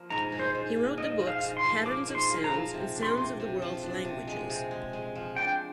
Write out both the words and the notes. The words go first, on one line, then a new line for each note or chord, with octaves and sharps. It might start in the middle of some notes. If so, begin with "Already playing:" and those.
He wrote the books "Patterns of Sounds" and "Sounds of the World's Languages".
Already playing: F3 A#3
G#2 A#5
G#2
C5
G#2
A#3
G#2 D#5
F3
F5
G#2
C6
F3
A#3 D6
G#2
C6
A#3
A#5
F3
C3
D4
C6
C3
C3
F3
D4
C3
G#3
C3
G#3
G#3
F3
D4 G5